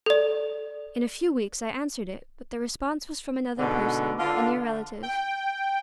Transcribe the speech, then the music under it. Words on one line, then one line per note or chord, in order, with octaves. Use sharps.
In a few weeks I answered it; but the response was from another person, a near relative.
A4 D5
G#2 B2 D3
D3 F4
G5